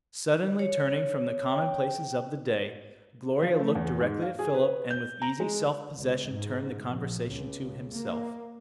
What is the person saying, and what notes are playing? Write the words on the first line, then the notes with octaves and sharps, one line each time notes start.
Suddenly turning from the commonplaces of the day, Gloria looked directly at Philip, and with easy self-possession turned the conversation to himself.
C#5
G5
F3
A3
E2
G#2
F5
G#4
B4
G6
A#5
G#3
C#2
G#2
A#1
C#2
A#3